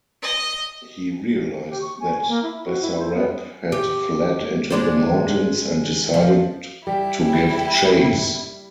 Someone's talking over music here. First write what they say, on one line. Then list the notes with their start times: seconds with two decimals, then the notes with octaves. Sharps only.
He realised that Basarab had fled into the mountains and decided to give chase.
0.22 D#5
1.69 G4
1.81 C#6
2.00 G#5
2.13 G#5
2.28 A#3
2.43 E4
2.65 F#4
2.81 E4
2.99 C5
3.13 B3
3.72 G4
4.70 G#3 D4 C5
6.14 F3
6.87 G3 E4 G4 G5